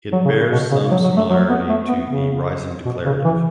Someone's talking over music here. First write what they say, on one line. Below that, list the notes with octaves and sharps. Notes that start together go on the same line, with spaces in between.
It bears some similarity to the rising declarative.
F#3
C#3
C#3
B2
C#3
F#3
F#3
A3
F#3
B3
A3
B3
C#3
B2
C#3
E3